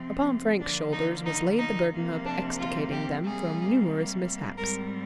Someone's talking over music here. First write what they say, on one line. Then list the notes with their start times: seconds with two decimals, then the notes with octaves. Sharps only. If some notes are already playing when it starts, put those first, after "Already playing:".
Upon Frank's shoulders was laid the burden of extricating them from numerous mishaps.
Already playing: C3 F3 C4
0.59 D3 F3 A#3 D4
0.92 D#4
1.26 D#4
1.59 D#4
1.92 C3 F3 A#3
2.25 D4
2.58 F4
2.91 G4
3.25 C3 G3 A#3 G#4
4.57 G#2 G3 C4 A#4